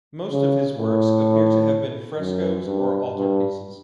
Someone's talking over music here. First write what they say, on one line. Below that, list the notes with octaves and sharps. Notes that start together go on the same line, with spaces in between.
Most of his works appear to have been frescoes or altarpieces.
C#3
A2
F#2
G2
G2